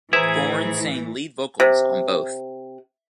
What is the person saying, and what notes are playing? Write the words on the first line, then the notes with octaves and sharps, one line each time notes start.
Thorn sang lead vocals on both.
A2 E3 E4 G#4 B4 C5 E5 A#5
C3